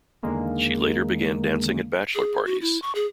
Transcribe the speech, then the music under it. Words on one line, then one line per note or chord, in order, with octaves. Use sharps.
She later began dancing at bachelor parties.
E2 D3 D#3 G#3 A#3
G#4
F#4
E4
C#6
G#4